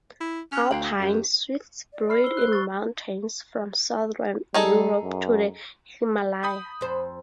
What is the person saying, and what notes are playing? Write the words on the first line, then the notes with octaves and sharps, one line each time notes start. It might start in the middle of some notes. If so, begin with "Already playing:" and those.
Alpine swifts breed in mountains from southern Europe to the Himalaya.
E4
C#4 F6 F#6
D2 F5 G5 F#7
F#2 G4 E5
D5
B5 F6 C7
C5 E6 G7
F#6 G7
C#6 A6
G3 D#4 G#4 A4
F#2
B5 D#6 G6
F2 C5